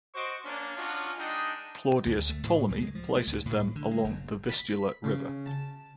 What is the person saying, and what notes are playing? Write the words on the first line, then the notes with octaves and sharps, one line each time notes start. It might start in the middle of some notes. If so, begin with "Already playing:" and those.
Claudius Ptolemy places them along the Vistula river.
F#4 C5 D#5 C#6 D6
A#3 C#4 D4
C#4 D4 F4 F#4 D#5
G#3 D4 D#4 D#5 G5
D2
A3
A2
C#2
G#3
F3
A3
C#2
A2
D3
G#3
F#1
B5
C#3
A5